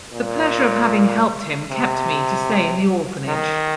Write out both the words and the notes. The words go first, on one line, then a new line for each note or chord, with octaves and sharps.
The pleasure of having helped him kept me to stay in the orphanage.
A#2
C3
D#3